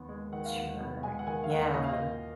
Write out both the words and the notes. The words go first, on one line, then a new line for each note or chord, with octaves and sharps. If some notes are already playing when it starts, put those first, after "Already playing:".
Sure, yeah.
Already playing: D#2 B3
G#3
D#3 F#5
F5
D#2 F#5
B3
G#3 G#5
F#5
D#3 G#5
F5
D#2 F#5
A#2 D#5
F5
A#3 D#5